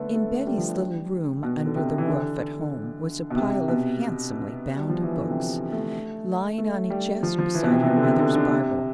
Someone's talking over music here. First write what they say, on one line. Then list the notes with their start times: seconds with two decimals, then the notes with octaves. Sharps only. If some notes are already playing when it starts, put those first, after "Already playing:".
In Betty's little room under the roof at home was a pile of handsomely bound books, lying on a chest beside her mother's Bible.
Already playing: D3 A3 B3
0.14 A3
0.47 G3
0.58 F3
0.69 G3
1.43 B2
1.65 D3
1.75 C3
1.98 E3
2.08 D3
3.30 B2
3.36 C3
3.68 B2
4.76 G3
4.89 F3
5.03 E3
5.16 D3
5.29 C3
5.72 A3
6.58 A3
6.90 G3
7.23 F3
7.39 F3
7.55 E3
7.64 B2
7.71 C3
7.82 C3
7.87 B2
7.96 D3
8.03 C3
8.19 D3
8.35 D3
8.51 C3